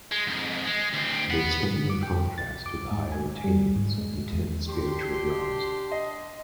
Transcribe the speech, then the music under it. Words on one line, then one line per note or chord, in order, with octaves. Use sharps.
They stand in contrast to the higher attainments of the Ten spiritual realms.
G#3
F2 G#2
G#3
D2 C4
B3 F#5
D3
D6
G5
A6
D6
G#2
G#5
G3
G#2
G#3
E2
D4 G4 C6
D#5